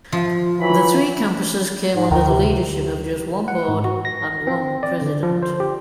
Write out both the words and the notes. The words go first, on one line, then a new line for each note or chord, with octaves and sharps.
The three campuses came under the leadership of just one board and one president.
F3 F4
E3 F#3 B5
G#2
D2 D#3
C3
F#5
G#2
F#4
A#6
C4
D5
D3
F3
C5
G4